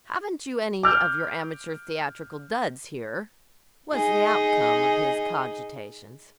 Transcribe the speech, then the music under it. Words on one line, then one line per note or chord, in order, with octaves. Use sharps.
"Haven't you any of your amateur theatrical duds here?" was the outcome of his cogitations.
D6 F6 G6
D#4 G#4 D#5